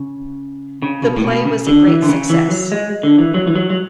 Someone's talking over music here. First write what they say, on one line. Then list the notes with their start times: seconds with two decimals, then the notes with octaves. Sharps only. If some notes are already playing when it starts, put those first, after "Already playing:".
The play was a great success.
Already playing: C#3
0.82 C#3
1.04 B2
1.17 A2
1.24 B2
1.45 C#3
1.67 D3
1.87 E3
2.02 D3
2.09 C#3
2.30 E3
2.50 F#3
2.72 G#3
3.03 D3
3.19 E3
3.34 F#3
3.47 E3
3.56 F#3
3.70 F#3